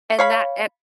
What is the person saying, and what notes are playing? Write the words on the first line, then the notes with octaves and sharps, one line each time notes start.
And that and
C#5 F5 B5